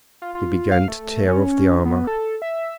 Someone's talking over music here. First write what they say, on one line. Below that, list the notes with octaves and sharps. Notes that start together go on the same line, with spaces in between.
He began to tear off the armor.
F4
F4
F5
A3
C#4
B3
A4
E5